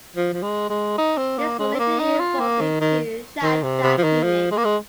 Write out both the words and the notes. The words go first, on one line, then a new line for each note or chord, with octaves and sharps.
This would later evolve into Shaldag Unit.
F3
F3
G#3
G#3
D#4
C4
A#3
G#3
C4
A#3
D#4
F4
A#3
D#3
D#3
D#3
C3
C3
F3
D#3
F3
G#3
A#3
G#3